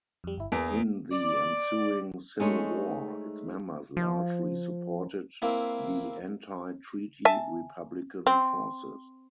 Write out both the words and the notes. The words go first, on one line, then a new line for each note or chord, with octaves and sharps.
In the ensuing Civil War, its members largely supported the anti-Treaty Republican forces.
F2 G3
G1 E4
E2 E3 A#3
G#4
D5
G#3 A3 D#4 G#4 C5 C#5
F3
A#3 C4 E4
E5 G#5 A5
C4